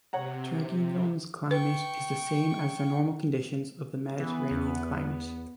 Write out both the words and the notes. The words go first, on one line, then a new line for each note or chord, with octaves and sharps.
Draguignan's climate is the same as the normal conditions of the Mediterranean climate.
C3 C#5 F#5 A#5
B4 G5 C#6
E3 B3
E2